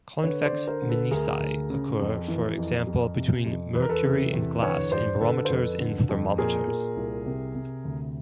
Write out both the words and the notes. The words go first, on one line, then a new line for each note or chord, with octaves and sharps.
Convex menisci occur, for example, between mercury and glass in barometers and thermometers.
D3 B4 C#5
C5 D5
D3
A#4 C5
D3
A4 B4
D2 G#4 A#4
D2
C#3
F2
E3
F2
F2
C3
F2
E2 B4
A#4
A4 B4
C3
E2
D3 B4 C#5
G2 C5 D5
D3 A4 B4
C5
F2 A4 B4
D3
F2
A#2 G#4 A#4
A#2
C2
C3
C3
D2